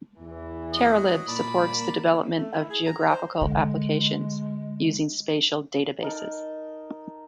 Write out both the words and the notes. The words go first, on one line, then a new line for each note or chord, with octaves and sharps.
TerraLib supports the development of geographical applications using spatial databases.
E2 E3
F#3 D#5
A#2 A#3 D5 A5 B5
A3
E4
G#4
A#5
C5
D3 G#3
D#4 A#4 A5